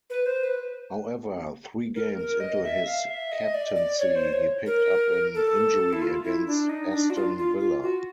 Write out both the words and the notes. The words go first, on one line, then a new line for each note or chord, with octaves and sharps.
However three games into his captaincy he picked up an injury against Aston Villa.
B4
C5
B4
A#4
A#4
D#5
E5
F5
E5
D#5
D5
D5
C#5
C5
C#5
A#4
A4
E4
F4
E4
D4
D#4
D4
F#4
F4
F4
F4
F#4